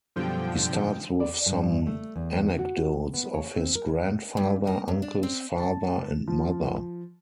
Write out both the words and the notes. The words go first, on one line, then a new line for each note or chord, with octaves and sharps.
He starts with some anecdotes of his grandfather, uncles, father and mother.
F#2 B2 D3 F3 G3 G5
D5
G2
A3
E2
F#4
B3
C#5
C4
A#4
G2
A#4
F#2
D4
C4
A5
F3